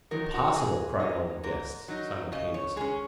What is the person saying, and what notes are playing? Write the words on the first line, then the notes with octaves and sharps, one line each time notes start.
"Impossible!" cried all the guests simultaneously.
D#3 F#3 D#4 A#4
F#4
G#2 G#4
F#3 D#4
G#2 A#4
F#3 D#4
C#3 D#5
C#5
G#3 C#4 G#4